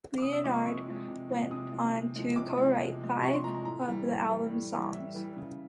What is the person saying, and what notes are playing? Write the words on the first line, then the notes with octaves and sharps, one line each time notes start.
Leonard went on to co-write five of the album's songs.
D6
C3 D#6
E6
F3 G#3 D6
C#6
C3 C#6
F3 G#3
C3
F3 G#3
C3 D#6
F3 G#3
C3
F3 G#3
C3 D6
F3 G#3
C3
F3 G#3
C3 C#6
C6
F3 G#3 A#5
A#5
A2 A#5
E3 G3
A2
E3 G3
A2
E3 G3
A2 E5
E3 G3
C#3